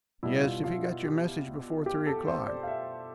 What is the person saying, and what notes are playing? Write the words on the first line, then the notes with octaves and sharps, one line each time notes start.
"Yes, if he got your message before three o'clock."
B2 G3 B3 E4
F4
F4
G4
G4
A4
C5
D5
F5
E5